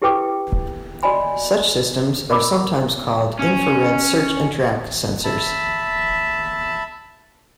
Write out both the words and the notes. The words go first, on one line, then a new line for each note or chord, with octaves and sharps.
Such systems are sometimes called infrared search and track sensors.
E4 G4 A4 B4 G5 D6
F#4 D5 D#5 G#5 B5
A#4 B5 D6
C#4
E5 A5 B5